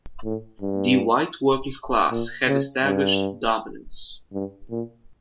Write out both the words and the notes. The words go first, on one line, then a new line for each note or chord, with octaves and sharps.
The white working class had established dominance.
A2
G2
A#2
C#3
G2
G2
A#2